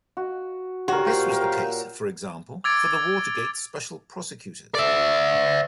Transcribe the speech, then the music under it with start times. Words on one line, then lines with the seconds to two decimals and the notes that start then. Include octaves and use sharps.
This was the case, for example, for the Watergate special prosecutors.
0.17 F#4
0.88 A#2 D3 F#4 G4 A#4 C#5
1.06 A#2 C5 F5 G5
1.31 A#4
2.64 D6 E6 G#6 A6 D7
4.75 D5 E5